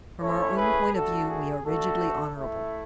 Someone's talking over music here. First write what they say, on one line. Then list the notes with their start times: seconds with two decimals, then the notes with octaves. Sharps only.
From our own point of view we are rigidly honourable.
0.21 A3 C#4 E4 A4 C#5
0.57 G#4 B4
0.93 A3 D4 F#4 A4
1.30 G#4
1.65 A3 D4 F#4 A4
2.37 A3 E4